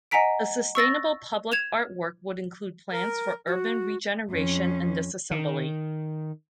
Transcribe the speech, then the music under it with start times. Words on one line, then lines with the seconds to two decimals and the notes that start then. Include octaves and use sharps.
A sustainable public art work would include plans for urban regeneration and disassembly.
0.11 D#5 F#5 G#5 A#5 B6 D7
0.75 C#6 E6 A6 A#6
1.52 G#6 E7 F7
2.92 A#4
3.47 F#4
4.30 F2 C#4
5.31 D#3